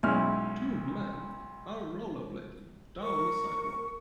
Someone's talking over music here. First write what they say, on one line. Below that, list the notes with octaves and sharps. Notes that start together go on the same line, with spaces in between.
Two men are rollerblading down a sidewalk.
B1 G#2 C#4 E4 F6
A#4 C#6